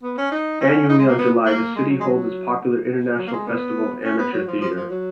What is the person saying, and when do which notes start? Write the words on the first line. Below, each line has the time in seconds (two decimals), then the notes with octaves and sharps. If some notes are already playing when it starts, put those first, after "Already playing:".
Annually, on July, the city holds its popular "International Festival of Amateur Theater".
0.03 B3
0.18 C#4
0.32 D#4
0.61 C#4
0.89 D#4
0.99 G#3
1.08 A#3
1.19 B3
1.46 A#3
1.75 G#3
1.89 F#3
2.00 G#3
2.04 F#3
3.18 F#3
3.27 A#3
3.33 G#3
3.47 B3
4.04 C#4
4.18 B3
4.33 F#3
4.48 F3
4.62 F3
4.76 F3
4.90 F#3